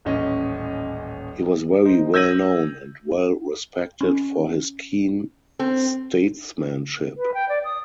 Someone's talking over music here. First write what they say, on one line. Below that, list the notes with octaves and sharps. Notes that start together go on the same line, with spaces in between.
He was very well known and well respected for his keen statesmanship.
D#1 A1 C#4 D#5
D#4 C5
E6 G6 G#6 A#6 D#7 F#7
C#4
C4 A4
B4
G5
D5
D#6